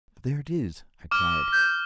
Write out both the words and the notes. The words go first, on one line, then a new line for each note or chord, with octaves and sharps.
"There it is!" I cried.
D6 F6
G6